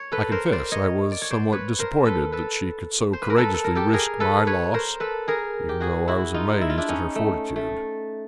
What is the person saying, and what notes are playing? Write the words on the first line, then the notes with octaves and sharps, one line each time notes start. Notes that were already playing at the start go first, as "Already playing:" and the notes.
I confess I was somewhat disappointed that she could so courageously risk my loss, even though I was amazed at her fortitude.
Already playing: C#5
A4 B4
A#4 C5
C5 D5
C#5 D#5
D5
C#5
C5 D5
B4 C#5
A#4 C5
A4 B4
A4 B4
C5
B4
A#4
A4 B4
A4
A#4
G4 A4
G#4 A#4
A4 B4
B4 C#5
A#4 C5
A4 B4
G#4 A#4
G4
F#4 G#4
E4 F#4
D#4 F4
E4
F4
D4 E4
C#4 D#4
A3
A3